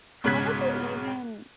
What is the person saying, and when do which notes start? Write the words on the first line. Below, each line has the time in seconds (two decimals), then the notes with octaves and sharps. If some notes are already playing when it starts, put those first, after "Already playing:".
How did they even
0.24 B1 G#2 C#3 F#6 G#6 B6